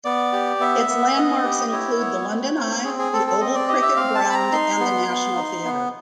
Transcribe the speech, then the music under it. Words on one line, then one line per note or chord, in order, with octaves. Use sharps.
Its landmarks include the London Eye, the Oval cricket ground and the National Theatre.
B3 D5
G4
B3 E5
B3
B3 D#5
G4
E4 C#5
B3
C4
C4
C4 G#4
G#4
C4 A4
A4
C4 D#5
D5
G4 D#5
E5
C4 F5
A5
C4
B5
A#5
D#4 C6
B3
B3
D#4
B3